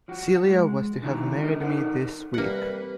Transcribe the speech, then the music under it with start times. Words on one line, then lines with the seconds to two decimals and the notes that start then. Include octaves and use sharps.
Celia was to have married me this week.
0.08 F3 F#4
0.48 G#3
1.02 D3 D#3 E4 F#4 A#5
1.40 D4 A4 A#4 D#5
1.61 D#4 A4 A#4 C5 F#5
2.34 C3 G3 A#3 B4 F#5